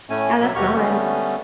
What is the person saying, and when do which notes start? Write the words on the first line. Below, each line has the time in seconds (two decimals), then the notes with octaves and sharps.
No, that's nice.
0.10 A2 A3 C#4 G#5
0.41 B2 F#3 E5
0.55 D#2 B2 F#4 G4 C#6 F6
0.75 D3 G3 A3 B3 C#4